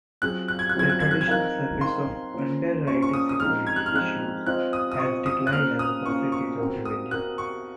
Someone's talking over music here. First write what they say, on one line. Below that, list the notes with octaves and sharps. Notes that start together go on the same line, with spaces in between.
The traditional service of underwriting security issues has declined as a percentage of revenue.
F#3 C4 F4 G#4 F#6
F#6
G#6
F#6
F#3 C4 F4 G#4 G#6
F#6
G#6
F#6
G#6
C4 D#4 A#4 F5 F#6
C4 D#4 A#4 F5 C6
A#3 C#4 F4 C5
A#3 C#4 F4 C5 C#6
C#6
D#6
D#6
F3 G#3 C4 D#4 F6
G#6
F#6
F6
F3 G#3 C4 D#4 F#6
C4 F4 C5 D#5 F#6
D#6
D#6
C4 F4 C5 D#5 C#6
D#6
F#6
A#3 C#4 F4 C5 F6
D#6
A#3 C#4 F4 C5 C#6
C#6
C4 F#4 A#4
D#6
C4 F#4 A#4 F#6
C#6